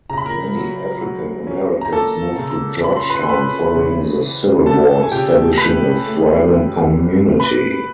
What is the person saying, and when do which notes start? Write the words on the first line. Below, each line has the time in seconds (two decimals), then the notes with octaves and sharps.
Many African Americans moved to Georgetown following the Civil War, establishing a thriving community.
0.10 C#3 A#5
0.17 B5
0.26 A#4 A#5
0.55 F#3
1.01 F#3
1.47 C#4
1.81 A#5
1.92 A#3 A4 A5
2.38 C#3
2.84 C#4 B5
2.97 C6
3.09 B4 B5
3.23 C6
3.29 C#4 B4 B5
3.75 C#3
4.20 E3
4.66 E3 A4 A5
5.03 G#5
5.12 C#3 G4 G5
5.57 A3 B4 B5
6.04 A3
6.49 F#2
6.95 E3
7.40 A#3 B4 B5